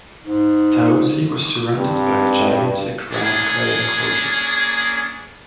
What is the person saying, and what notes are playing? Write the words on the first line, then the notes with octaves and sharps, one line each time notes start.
Taosi was surrounded by a gigantic rammed-clay enclosure.
G#2
G2 C4
A#3 C#4 D4 G#4